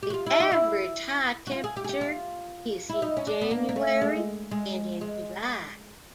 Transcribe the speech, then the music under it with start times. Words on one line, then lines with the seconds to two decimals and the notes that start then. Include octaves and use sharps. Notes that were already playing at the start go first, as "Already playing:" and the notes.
The average high temperature is in January and in July.
0.03 G4
0.10 F#4
0.14 F4
0.26 E4
0.40 D#4
0.52 E4
1.47 F#4
1.52 F4
1.64 G#4
1.76 G4
1.84 G#4
1.89 G4
2.01 F4
2.89 E4
3.02 D#4
3.17 C#4
3.27 D4
3.41 B3
3.51 A#3
3.69 A#3
3.76 A3
4.01 G#3
4.51 G#3
5.01 G#3